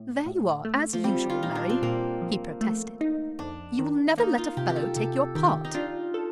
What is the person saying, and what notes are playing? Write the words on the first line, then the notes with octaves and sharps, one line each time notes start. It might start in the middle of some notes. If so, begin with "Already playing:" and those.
"There you are, as usual, Mary!" he protested; "you will never let a fellow take your part!"
Already playing: A2
A2
A3
F3
G3 C4
F4
A#2 D#4
D4
C4
A#2 A#3
F3
A3
D#4
F2 D4
D#3
A#3 D#4
F4
C3 G4
G4
A4
C3 A4
D#3 G4
D#4
D4 F4
A4